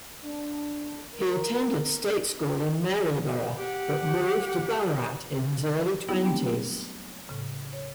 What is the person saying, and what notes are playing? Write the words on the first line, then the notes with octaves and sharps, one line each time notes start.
He attended state school in Maryborough, but moved to Ballarat in his early twenties.
D4
A#4
G4 F#5
F#3 G3 B3 D#4 E4
A3 B3 C4 D4 G4 G5
A2 C#3
C#5